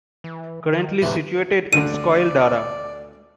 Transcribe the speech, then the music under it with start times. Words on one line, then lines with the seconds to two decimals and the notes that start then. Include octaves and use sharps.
Currently situated in Scoil Dara.
0.24 E3
0.73 D#3
1.02 A2 C3 E3
1.73 D2 G2 D3 D5 E6 D7 D#7